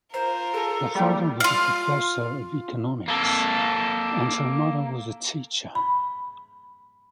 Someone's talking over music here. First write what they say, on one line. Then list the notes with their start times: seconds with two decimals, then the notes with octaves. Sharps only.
Her father was a professor of economics and her mother was a teacher.
0.14 F4 A#4 C5 A#5
0.54 G#4 A4 A5
0.95 F#3 G3 A#3 E4
1.40 F4 F5
3.08 A#3 A4
5.75 B5